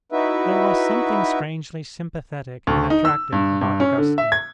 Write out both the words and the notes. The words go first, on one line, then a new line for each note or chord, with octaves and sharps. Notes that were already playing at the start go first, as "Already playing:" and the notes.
There was something strangely sympathetic and attractive about Augustine.
D#4 E4 F#4 B4 E5
D2
D#4
E6
G2
G2
C#4
D3
E5
G#6